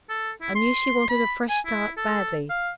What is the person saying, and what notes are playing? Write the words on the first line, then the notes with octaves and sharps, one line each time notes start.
I knew she wanted a fresh start badly.'
A4
E4
C6
B5
G#5
E4
A4
F5